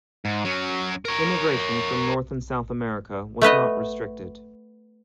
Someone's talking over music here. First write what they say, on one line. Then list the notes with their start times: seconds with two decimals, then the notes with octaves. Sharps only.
Immigration from North and South America was not restricted.
0.25 G#2
0.45 F#3 C#4
1.05 A#4 C#5
3.42 A3 B3 B4 D#5